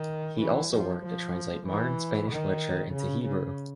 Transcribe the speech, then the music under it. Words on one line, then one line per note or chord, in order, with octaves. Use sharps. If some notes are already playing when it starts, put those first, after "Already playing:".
He also worked to translate modern Spanish literature into Hebrew.
Already playing: D#3
E3
F3
F3
E3
D#3
C#3
C#3